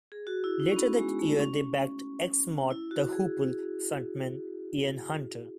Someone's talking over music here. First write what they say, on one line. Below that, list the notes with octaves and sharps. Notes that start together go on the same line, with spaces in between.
Later that year they backed ex-Mott the Hoople frontman Ian Hunter.
G#4
F#4
E4
D#4
C#4
B3
G#3
A3
C#4
E4
F#4
G#4